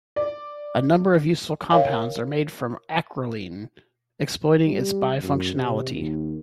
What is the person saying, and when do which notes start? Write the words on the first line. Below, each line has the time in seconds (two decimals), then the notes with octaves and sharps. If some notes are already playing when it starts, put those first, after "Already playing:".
A number of useful compounds are made from acrolein, exploiting its bifunctionality.
0.16 D5
1.71 A#4 C#5 D#5 F5 G5
4.67 G3
5.21 F#2
5.55 C3
5.92 D#2